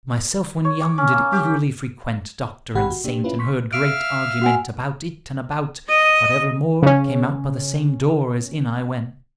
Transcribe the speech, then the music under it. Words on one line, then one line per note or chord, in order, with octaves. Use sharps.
Myself when young did eagerly frequent Doctor and Saint, and heard great Argument About it and about: but evermore Came out by the same Door as in I went.
C#5
D6
C#4
A#3
G4
A1 C3 D#3 G4 F#5 B5
F#4
B2 A#3 D4 G4
C#4 E4 F4 B4
C6 C#6 B6
E5 F5 F6 D7
F#4 F#5 G#5
D#5 D#7
C#3 C#4